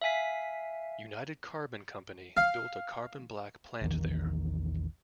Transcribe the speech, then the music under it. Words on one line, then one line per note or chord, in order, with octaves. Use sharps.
United Carbon Company built a carbon black plant there.
E5 F5 G#5 B6
F5
A#1 E2 D#3 E3